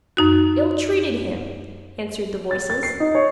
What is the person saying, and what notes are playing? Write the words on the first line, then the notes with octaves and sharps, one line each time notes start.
'Ill-treated him!' answered the voices.
F#2 D#4 F#4
A6
A6
C7
D#4
C#5